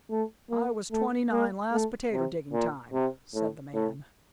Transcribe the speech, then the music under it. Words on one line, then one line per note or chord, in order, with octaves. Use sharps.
"I was twenty-nine last potato-digging time," said the man.
A3
A#3
A3
A#3
A3
C3
A#2
C3
A2
A2